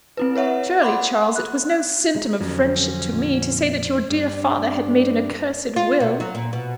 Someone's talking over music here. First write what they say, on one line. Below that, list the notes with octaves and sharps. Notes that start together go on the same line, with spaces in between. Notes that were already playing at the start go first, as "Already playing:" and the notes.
"Surely, Charles, it was no symptom of friendship to me, to say that your dear father had made an accursed will!"
C4 E4 B4
B4 C#5 E5 F#5
F#5 B5 C6 D6
F#6
G#3 D#4
F2 D3 F#3 C#4
A#2
G2 D4
F4
B2
F#3
A#2
B2